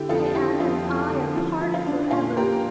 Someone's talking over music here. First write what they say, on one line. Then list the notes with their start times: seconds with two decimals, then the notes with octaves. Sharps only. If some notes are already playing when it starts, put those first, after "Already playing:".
Diana and I are parted forever.
Already playing: D3 E4 G4
0.09 F2 F4 A4
0.34 D3 E4 G4
0.60 F2 F4
0.84 F2
1.10 D3
1.35 F3 E4
1.61 F3
1.74 F4
1.86 D4
2.11 A#2 F4
2.36 A#2 G4 A#4